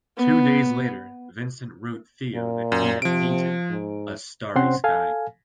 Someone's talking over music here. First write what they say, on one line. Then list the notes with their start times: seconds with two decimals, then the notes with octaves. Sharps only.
Two days later, Vincent wrote Theo that he had painted "a starry sky".
0.18 B3
2.35 A#2
2.72 F#2
3.02 C3 F3 D7
3.70 G#2
4.55 C3 C4 C#4 C5 F#5 C6
4.84 A4 F5 G#5